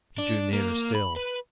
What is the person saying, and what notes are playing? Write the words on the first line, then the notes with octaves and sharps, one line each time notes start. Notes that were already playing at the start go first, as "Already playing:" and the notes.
He drew nearer still.
D4
A#3
B5
B4